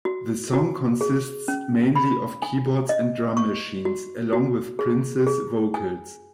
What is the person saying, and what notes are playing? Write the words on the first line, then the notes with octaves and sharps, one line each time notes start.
The song consists mainly of keyboards and drum machines, along with Prince's vocals.
F#4
F#4
G#4
C#4
B5
G#5
D#5
C#6
F#4
F#4
G#4
G#4
G#5